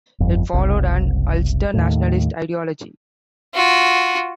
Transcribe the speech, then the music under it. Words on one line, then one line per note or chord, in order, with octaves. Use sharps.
It followed an Ulster nationalist ideology.
G1 F2
F#1 C2
D#2 A2
F4 F#4